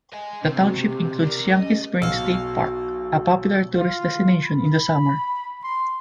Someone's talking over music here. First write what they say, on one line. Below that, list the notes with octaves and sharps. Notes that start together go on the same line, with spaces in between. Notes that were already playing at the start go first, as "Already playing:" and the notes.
The township includes Yankee Springs State Park, a popular tourist destination in the summer.
D#5 G#5
B1 C3 D4
F#4
G4
D4 A#4
C#4 D#5
B1 F#4 F5 E6
F4
B5
C6